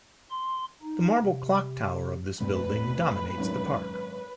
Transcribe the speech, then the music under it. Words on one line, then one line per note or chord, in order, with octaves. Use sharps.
The marble clock tower of this building dominates the park.
C6
D#4
C3
E1 A2 A3 C4 B4
G#1 F#2